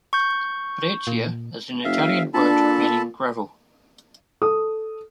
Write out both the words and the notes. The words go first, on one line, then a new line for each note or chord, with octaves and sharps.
Breccia is an Italian word meaning "gravel".
C#6 G6
A#2
F#1 E5 F5
A#2 D4 A4 A5 B5
A4 D#6